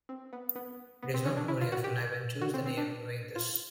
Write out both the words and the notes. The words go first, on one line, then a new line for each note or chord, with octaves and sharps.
It is not known if Niven chose the name knowing this.
C4
B3
B3
B3
C4
C#4
D4
E4
F4
F#4
G4
F#4
C4
C4
D4
F4